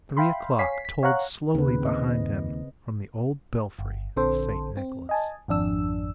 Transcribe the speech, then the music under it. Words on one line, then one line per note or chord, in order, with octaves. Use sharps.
Three o'clock tolled slowly behind him from the old belfry of St. Nicholas.
E5 F5 G5 B5 C6
C#5 F5 G#5 B6 C7
B6
C#5 F5 F#5 A#5 C#6 F#6
D#2 C#3 C4 B4
C4 D#5
G1
A#1 D3 C4 A4 C5
C4
D#5 G#5 A5
G#1 F2 D4 E6